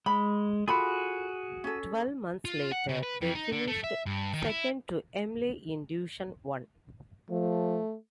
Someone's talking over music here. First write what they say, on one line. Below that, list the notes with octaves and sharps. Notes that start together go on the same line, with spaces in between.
Twelve months later they finished second to Emley in Division One.
G#3 B5
F4 F#4 G#4 A4 B5
C#4 A4
F4
F#5
C#3
B4
F2
D#4
D3
A3
E5
G2
D#3
E4
F3 A3